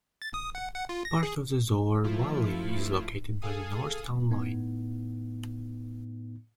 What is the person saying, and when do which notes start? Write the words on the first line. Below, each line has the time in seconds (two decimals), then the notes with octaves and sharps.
Part of the Zoar Valley is located by the north town line.
0.22 A6
0.34 D#6
0.55 F#5
0.75 F#5
0.89 F4
1.05 A#6
1.23 G#4
2.04 F3 A3 E4 F4
3.42 G#4 A4 F5 G#5 D#6
4.31 A2 B3 D#4